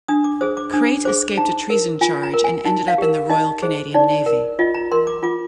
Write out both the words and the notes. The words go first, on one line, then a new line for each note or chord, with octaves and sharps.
Crate escaped a treason charge and ended up in the Royal Canadian Navy.
D4 D#6
D6
G#4 C5 D#6
D6
D4 D#6
G#4 C5 D6
D#4 A#5
A#4
F4 G#5
A#5
A#4
G#5
D#4
F5
G4 A#4
D#4 D#5
G#4 C5
D#4 D5
A#4
F4 D#5
A#5
A#4 C6
D6
F4 D6